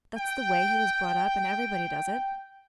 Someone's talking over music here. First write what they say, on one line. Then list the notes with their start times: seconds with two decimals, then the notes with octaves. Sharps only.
That's the way he was brought up, and everybody does it.
0.17 G5